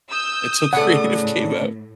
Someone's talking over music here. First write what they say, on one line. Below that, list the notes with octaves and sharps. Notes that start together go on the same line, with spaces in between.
until Creative came out.
D#6 E6 G6
A2 C#3 B3 D4 A4 F#5